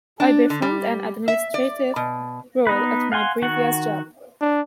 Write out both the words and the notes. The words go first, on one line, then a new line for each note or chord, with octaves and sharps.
I performed an administrative role at my previous job.
D4
D3
G3
E5
D5
B2
B3 D#4 B4
F5 F#5 G#5 C6
D#3 F#4 F#5
D4